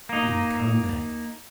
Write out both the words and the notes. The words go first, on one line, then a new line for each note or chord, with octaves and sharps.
He had come then.
A#3 D#4